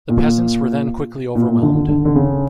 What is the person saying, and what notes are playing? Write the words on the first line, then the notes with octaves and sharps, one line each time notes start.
The peasants were then quickly overwhelmed.
A#2
A#2
A#2
D3
D3
D3
D3
C#3